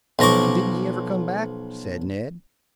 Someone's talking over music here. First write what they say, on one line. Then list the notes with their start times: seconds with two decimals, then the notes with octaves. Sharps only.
"And didn't he ever come back?" said Ned.
0.19 B1 F3 A#5 C#6 D6